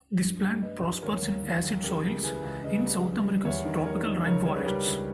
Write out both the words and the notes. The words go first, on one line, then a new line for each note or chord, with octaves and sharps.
This plant prospers in acid soils in South America's tropical rainforests.
G2
G3
G3 B4 D#5
G3
D#2 A#4 C#5
D#2
D#2
D#2
C#3 G4 A#4
C#2
E3 G#4 B4
C#2
C#3 B4 D#5
G3
G3
G3
E2 C#5 E5
D#3
G3 A#4 C#5
D#3
C#2 A#4 C#5
G3 C#5
B4
G3 G4 A#4
C#2